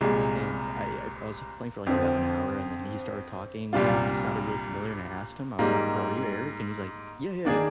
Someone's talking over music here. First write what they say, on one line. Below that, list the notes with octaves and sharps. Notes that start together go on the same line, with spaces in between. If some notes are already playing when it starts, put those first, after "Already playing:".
and I I I was playing for, like, about an hour and then he started talking and he sounded really familiar and I asked him, I'm like "Bro, are you Eric," And he's like, "Yeah, yeah,"
C2 A#2 G#3
F2 D3 F3 C4
C2 A#2 G3 D4 F4
G#2 G3 A#3
D#3 A#3 D4 G#4